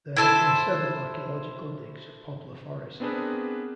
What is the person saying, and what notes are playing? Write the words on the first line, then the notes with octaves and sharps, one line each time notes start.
There have been several archaeological digs at Poplar Forest.
E4 A4 C5
B3 C4 D4 G#4 A#4 B4